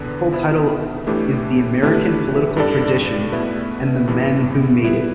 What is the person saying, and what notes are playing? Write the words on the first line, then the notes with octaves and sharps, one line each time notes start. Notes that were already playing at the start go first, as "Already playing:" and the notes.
The full title is The American Political Tradition and the Men Who Made It.
Already playing: E2 D3 B3 D4 B4
B2 B3 E4
A2 E3 A3 D4 G4
D3 A3 E4 G4 B4
G2 G3 D4 A4 D5
B2 A3 E4 B4
G2 E3 B3
G3 B3 E4 B4